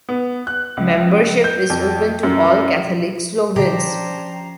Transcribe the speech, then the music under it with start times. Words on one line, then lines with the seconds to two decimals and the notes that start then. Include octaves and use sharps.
Membership is open to all Catholic Slovenes.
0.09 B3
0.47 F#6
0.77 C#2
1.44 G6
1.70 F2
2.23 F#2
3.56 A#2 D3 F3 C#4 D4 G4 C5 A#5